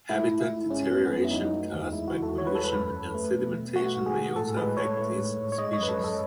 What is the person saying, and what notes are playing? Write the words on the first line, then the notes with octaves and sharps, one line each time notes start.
Habitat deterioration caused by pollution and sedimentation may also affect this species.
A3 E4
G#2
E4
G#2
G#3 C#4
F#2 B3
B3
F#2 C#4
E4
F#3 D#4
A3
E2
G#3 E4
E2 F#4
A4
E2
C#5
B4
G#3 A4
B4
F#2
F#2
A3
B2
B2
A3 F#4
G#2
G#4
G#2
A2 A4
G#3 B4
A2 C#5
A3
G#2
G#2
C#5
G#3 D#5
C#5
F#2 B4
A4
F#2 A4